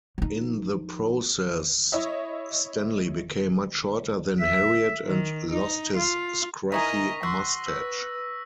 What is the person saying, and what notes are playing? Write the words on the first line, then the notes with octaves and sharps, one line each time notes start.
In the process, Stanley became much shorter than Harriet and lost his scruffy mustache.
F3 D#4
E4 C#5 D#5 E5
E5
D#3
D#4
F4
D#4 E4 G#4 A#4 D#5 C#6 A#6 B6
F#4 C6 E6 F#6
B4 E6